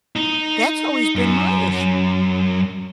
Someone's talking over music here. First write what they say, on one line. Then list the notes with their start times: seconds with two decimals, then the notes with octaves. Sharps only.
that's always been my issue.
0.16 D#4
1.16 F#2